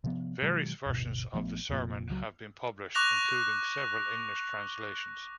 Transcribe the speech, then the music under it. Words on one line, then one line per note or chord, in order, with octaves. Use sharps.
Various versions of the sermon have been published, including several English translations.
C3 F3 B3
B2 D#3 F#3 G#3
D1 G1 B2
A#1 F3 A3 B3
F1 F2 A#2
C#2 F#3
C#6 D6 F#6 A#6 F7